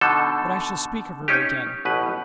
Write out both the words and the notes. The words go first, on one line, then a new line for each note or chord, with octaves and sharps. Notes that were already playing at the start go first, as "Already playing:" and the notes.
But I shall speak of her again.
B2 D3 D#4 A4
C#4 D#4 G4
A1 B2 B4